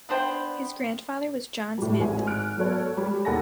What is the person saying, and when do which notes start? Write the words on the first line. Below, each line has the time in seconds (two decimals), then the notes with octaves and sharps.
His grandfather was Johns Manville.
0.09 B3 D4 C5 G5
1.78 A2 G3
2.00 G#1 G#2 G#5
2.27 F6 F#6 D7
2.57 F#3 B3 A4 C#5
2.97 G3
3.25 D#2 A4 F#5 G#5 A#5 A#6